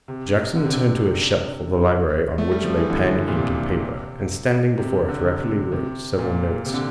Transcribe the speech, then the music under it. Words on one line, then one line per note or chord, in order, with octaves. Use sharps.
Jackson turned to a shelf of the library on which lay pen, ink and paper, and standing before it rapidly wrote several notes.
C3
D3
C3
D3
A3
G3
F3
E3
D3
A#2
C3
C3
D3
C3
C3
A#2
C3
D3